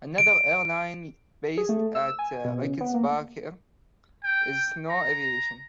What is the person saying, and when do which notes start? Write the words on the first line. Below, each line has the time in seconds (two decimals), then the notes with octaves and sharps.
Another airline based at Rickenbacker is Snow Aviation.
0.18 D7
1.57 G#4
1.69 A3
1.95 E6
2.19 G#5
2.45 B2
2.62 C#3
2.81 B3
2.94 A#3
4.24 G5
4.89 A#5